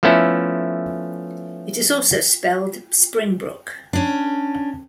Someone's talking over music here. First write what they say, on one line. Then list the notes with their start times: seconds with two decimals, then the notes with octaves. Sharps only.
It is also spelled Spring Brook.
0.03 F3 A3 B3 C#4 E4 A4
3.93 C#4 D4